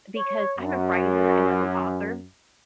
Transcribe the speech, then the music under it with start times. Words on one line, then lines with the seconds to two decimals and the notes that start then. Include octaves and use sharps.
because I'm a writer and I'm an author,
0.17 C#5
0.59 F#2